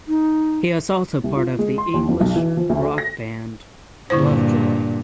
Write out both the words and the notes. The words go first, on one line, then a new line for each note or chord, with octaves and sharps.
He is also part of the English rock band Lovejoy.
D#4
C2
F4
G#3
C6
D#2
F2
B1
E3
F3
D2
A4
A#6
G2 A#2 D3 E4 C5